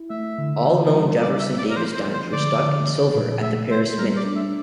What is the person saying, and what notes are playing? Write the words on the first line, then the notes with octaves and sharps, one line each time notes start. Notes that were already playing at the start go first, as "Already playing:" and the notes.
All known Jefferson Davis dimes were struck in silver at the Paris Mint.
Already playing: E4
A3 E5
D3
E3
G3
G3 D5
E5
C4
D5
A#4
F3 C5
C5
F3
C5
D3 D5
D3
F3
A#2
A3 E5
A3 C5
G3 A#4
D5
D4
E5